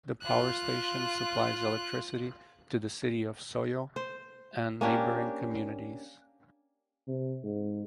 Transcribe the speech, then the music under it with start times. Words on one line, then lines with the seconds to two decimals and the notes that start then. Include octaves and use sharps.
The power station supplies electricity to the city of Soyo and neighboring communities.
0.22 F4 F#6
3.96 C5
4.81 A#3 C#4 D4 G4
7.07 C3
7.43 G#2